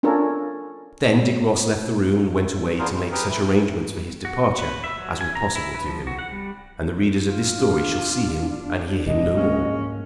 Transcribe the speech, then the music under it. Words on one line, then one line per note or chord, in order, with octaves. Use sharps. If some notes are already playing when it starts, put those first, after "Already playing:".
Then Dick Ross left the room and went away to make such arrangements for his departure as were possible to him, and the readers of this story shall see him and hear him no more.
C#4 D4 F4 A4 A#4
B3 D4 F4 G#4 A#4 C5
F2 C#3
G4 G#4 A#4 B4
A3 B4
F#4
B4
E5
F#3
G#5
A#5
E4
B4
F3
F#4
F#5
G3
F4
D4
E1 B1 F#2 D#5
G#2 G#3 A#3 C#4